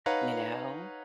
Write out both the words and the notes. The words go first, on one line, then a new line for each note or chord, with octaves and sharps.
you know?
D#4 B4 C#5 F5 F#5 A#5